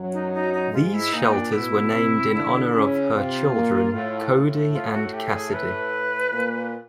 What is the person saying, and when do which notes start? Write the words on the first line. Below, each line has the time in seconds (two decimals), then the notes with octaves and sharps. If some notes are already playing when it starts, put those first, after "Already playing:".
These shelters were named in honor of her children, Cody and Cassidy.
Already playing: F#2 F#3
0.13 D#4
0.33 D#4
0.53 D#4
0.72 G#2 G#3 F4
0.93 E4
1.12 A#2 A#3 D#4
1.32 D4
1.52 B2 B3 E4
1.92 C3 C4
2.33 D3 D4
2.73 C#3 C#4
3.13 C3 C4 F4
3.53 A#2 A#3
3.92 A2 A3
4.33 A2 A3
4.73 F4
4.93 F#4
5.13 G4
5.33 G#4
5.54 B4
6.32 A#2 A#3